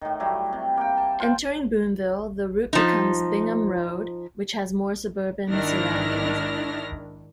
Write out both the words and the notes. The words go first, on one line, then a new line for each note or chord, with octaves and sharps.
Entering Boonville, the route becomes Bingham Road, which has more suburban surroundings.
A2 D#3
F#3 G3 A3 E4
C3
A#3 G5
A5
F4 C5 F#5 G5
F3 D#4
G#2 D#3 D4 E4 F6 A#6